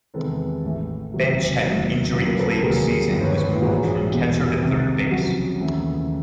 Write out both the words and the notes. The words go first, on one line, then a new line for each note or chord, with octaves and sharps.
Bench had an injury plagued season and was moved from catcher to third base.
E2 C3 D#3 G#3 A4 B4
A1 A2 E3 A3
F#1 E2 C3 D#3 F#3
D#2 D3 F#3 A#3
C#2 C#3 F#3 A#3 B4
A#4
A4 B4
F1 D#2 D3 F#3 A#3 G#4 A#4
G1 G2 D#3
C5
B4 C#5
B4 C#5
A#1 G#2 E3 F#4 G#4
E2 B2 G3 G4
C2 C3 D#3 G4
F2 C#3 F#3 F#4
D#2 C#3 E3 A3